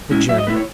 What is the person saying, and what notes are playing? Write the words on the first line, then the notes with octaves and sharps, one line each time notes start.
The Journey.
G#3 C#4 E4
F#3 E5
D#5
A3 E4 B4
C#5